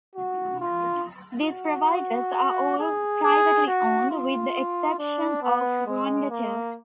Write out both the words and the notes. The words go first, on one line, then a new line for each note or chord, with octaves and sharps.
These providers are all privately owned, with the exception of Rwandatel.
F#4
F4
F#4
G#4
G#4
F#4
F4
D4
B3
G#3
A#3